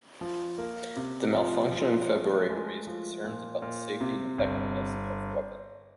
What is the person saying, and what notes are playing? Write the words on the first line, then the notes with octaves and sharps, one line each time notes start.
The malfunction in February raised concerns about the safety and effectiveness of the weapon.
F3
A#3
C3
F3
F3
A3
G#3
F3
A#2
A#2
C3
G1